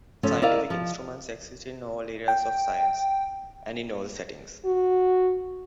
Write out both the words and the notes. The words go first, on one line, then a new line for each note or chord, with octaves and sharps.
Scientific instruments exist in all areas of science, and in all settings.
C#3 F3 A3 C#4
E4 A#4 D5 D#5 F5
F3
G5
F#4